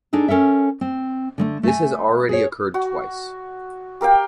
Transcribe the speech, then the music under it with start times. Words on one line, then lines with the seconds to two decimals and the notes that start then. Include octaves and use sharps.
This has already occurred twice.
0.13 D4 D#4 G#4 A4
0.28 C#4 A4 A#4 E5
0.81 C4
1.38 D3 G#3 A3
1.63 A3 G#5
2.29 G#4 C#5
2.74 F#4
4.01 G4 A#4 F5 G5